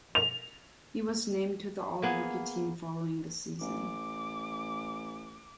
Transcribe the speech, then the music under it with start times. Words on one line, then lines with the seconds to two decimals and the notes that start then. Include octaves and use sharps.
He was named to the All-Rookie Team following the season.
0.15 F7
2.02 A#3 B3 G#4
3.61 A1 D6